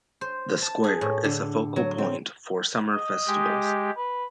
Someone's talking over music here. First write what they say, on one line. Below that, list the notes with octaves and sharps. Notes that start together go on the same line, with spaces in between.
The square is a focal point for summer festivals.
C5
A5
G#4
A2
D3
F#3
C4
D#5
G#3 G4
B4